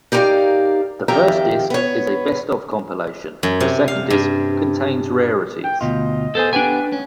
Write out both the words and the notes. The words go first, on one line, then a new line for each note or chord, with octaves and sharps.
The first disc is a best-of compilation; the second disc contains rarities.
D#4 G4 A#4 C5 D5 F5
F2 D#3 G4 E5 G5 A#5
B3 C#5
F#2
C3
F5
G2
G5
D2 B2 F4 D#5
B3 G#4 A4 C5
B3 D4 G4 B4 G#5
C#4